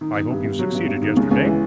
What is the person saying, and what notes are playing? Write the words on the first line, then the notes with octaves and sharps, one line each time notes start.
I hope you succeeded yesterday.
D#3
D#3
G2
G2
F#3
G2
G2
D#3
C#2
C#2
E3